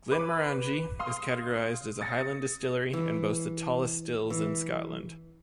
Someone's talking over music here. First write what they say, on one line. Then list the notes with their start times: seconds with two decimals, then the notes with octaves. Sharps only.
Glenmorangie is categorised as a Highland distillery and boasts the tallest stills in Scotland.
0.11 B4 D6
0.99 F5 C6 D#6
2.01 D#6 A6 A#6 C#7
2.93 E3
4.30 E3